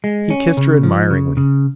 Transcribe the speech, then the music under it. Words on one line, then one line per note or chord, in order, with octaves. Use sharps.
He kissed her admiringly.
G#3
C#4
C#3
F3
C#3
C#3